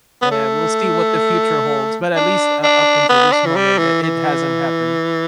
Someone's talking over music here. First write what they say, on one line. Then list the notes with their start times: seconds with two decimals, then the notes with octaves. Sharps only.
uh, we'll see what the future holds. But at least, uh, up until this moment, it it hasn't happened
0.22 B3
0.31 A3
2.16 D4
2.62 D4
3.09 B3
3.32 D4
3.46 E3
3.56 G3
3.78 E3
4.02 E3